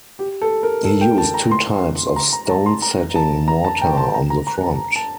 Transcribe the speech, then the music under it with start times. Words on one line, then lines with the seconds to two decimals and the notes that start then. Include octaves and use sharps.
He used two types of stone-setting mortar on the front.
0.19 G4
0.42 A4
0.63 A#4
0.85 A4
1.01 G5
1.18 A5
1.34 A#5
1.51 C6
2.16 A#5
2.33 A#5
2.49 A5
2.66 C6
2.82 A#5
3.16 A5
3.48 A#5
3.64 A5
3.81 G5
3.97 A5
4.14 A#5
4.30 A#5
4.47 A#5
4.63 A5
4.96 A5